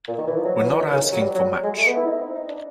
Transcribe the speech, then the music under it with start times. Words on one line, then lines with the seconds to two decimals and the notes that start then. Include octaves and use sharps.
We're not asking for much.
0.08 A#2
0.18 D#3
0.27 E3
0.36 F3
0.45 F#3
0.55 F#3
0.64 E3
0.78 D#3
0.93 C#3
1.12 F#3
1.20 G3
1.35 F#3
1.63 G#3
1.77 A3
1.87 B3
1.96 E4
2.06 D#4
2.20 C4
2.35 D#4
2.48 D4